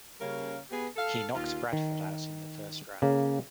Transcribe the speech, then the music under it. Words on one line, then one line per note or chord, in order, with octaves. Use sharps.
He knocked Bradford out in the first round.
C#3 G3 A#3 C#4 A#4 F5
B3 G4 G#4 B4
A4 F5
D#2 F4
D#3
C#3 A#3